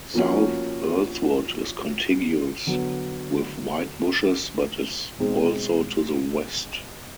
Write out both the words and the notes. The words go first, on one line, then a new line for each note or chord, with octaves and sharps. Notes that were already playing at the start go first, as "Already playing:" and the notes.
South Earlswood is contiguous with Whitebushes but is also to the west.
F3 A#3 C#4 F#4
D3 F#3 B3
B2 G#3 C4 D#4 G#4